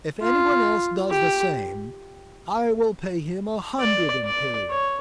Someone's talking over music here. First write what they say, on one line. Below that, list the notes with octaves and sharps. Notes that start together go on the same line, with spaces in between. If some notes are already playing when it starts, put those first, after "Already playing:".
If anyone else does the same, I will pay him a hundred imperials.
F4
G4
D5
D5
C#5